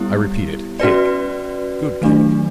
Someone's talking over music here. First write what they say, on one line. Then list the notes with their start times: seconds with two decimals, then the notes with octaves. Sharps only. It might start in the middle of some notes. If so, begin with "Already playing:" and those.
I repeat it, cake--good cake.
Already playing: G3 B3 E4 G4
0.80 C#4 F#4 B4 D5
2.02 D#3 F#3 A3 D4